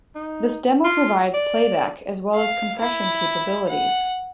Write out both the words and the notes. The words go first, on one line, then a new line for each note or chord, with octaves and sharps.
This demo provides playback as well as compression capabilities.
D#4
F4
D5
F5
E4
F#5